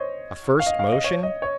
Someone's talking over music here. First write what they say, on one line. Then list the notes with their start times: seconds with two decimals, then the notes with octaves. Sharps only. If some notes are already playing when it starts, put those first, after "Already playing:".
A first motion?
Already playing: C5 C#5 D#5
0.60 F5
0.66 D#5
0.79 F5
0.92 D#5
1.04 C#5
1.23 D#5
1.42 C#5